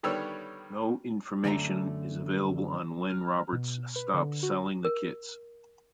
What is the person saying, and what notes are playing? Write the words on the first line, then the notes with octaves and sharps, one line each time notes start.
No information is available on when Roberts stopped selling the kits.
D3 D#3 G3 B3 C#5 E6
F#2 D3 A3 G#4 A#5
F6
B2
B4
D3
F#4
A#4